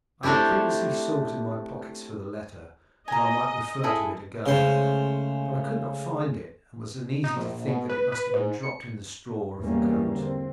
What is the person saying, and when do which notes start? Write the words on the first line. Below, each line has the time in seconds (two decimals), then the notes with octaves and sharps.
I had previously sought in my pockets for the letter, that I might refer to it again; but I could not find it, and was uneasy to think that it must have been dropped in the straw of the coach.
0.23 A3 C4 D4 E4 G4
3.08 D#5 G#5 A#5
3.84 E4 G#4 A4
4.46 C#3 G#3 A3 C#4 C5
7.24 D#4
7.36 A#1
7.67 B2
7.90 B4
8.12 B4
8.34 G#2
8.63 C#7
9.57 E2 G#2 E3 G3 A#3 C#4
10.10 D3 C4